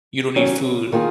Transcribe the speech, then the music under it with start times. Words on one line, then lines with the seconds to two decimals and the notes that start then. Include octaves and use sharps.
You don't need food,
0.35 D#3 F#3 C#4
0.92 D#3 A#3 F4 G#4